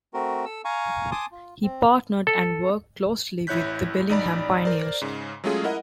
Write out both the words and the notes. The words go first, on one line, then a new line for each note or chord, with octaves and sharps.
He partnered and worked closely with the Bellingham pioneers.
A3 C4 F#4 A#4
A4 E6
F5 G#5 A#5 C#6
G#5 A5 C6 D6 D#6
F4
C4
A4
A1 E4 C#5 F#6 G6 B6
A1 D#4 D5 B5
A#4 C5 D5
G#2 C#3
F#3 G#3 A3 C#4 F4 G#4
E4 A#4 D#5 F#5